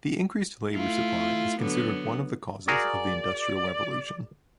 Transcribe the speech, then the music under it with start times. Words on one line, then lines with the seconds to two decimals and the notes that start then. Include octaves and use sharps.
The increased labour supply is considered one of the causes of the Industrial Revolution.
0.71 A3 E4 F4
1.60 D3 F#3 B3
2.68 F#4 G#4 A#4 D5